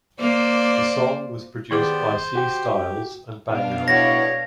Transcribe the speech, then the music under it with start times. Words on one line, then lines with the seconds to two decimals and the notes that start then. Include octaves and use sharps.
The song was produced by C. Styles and Bang Out.
0.20 A#3 C5 D5
1.71 D#3 B3 G4 G#4 C5 D5 D6
2.35 F#4 G4 G5
3.49 B2 D4 F5
3.88 A2 B3 F#4 C#5 A#6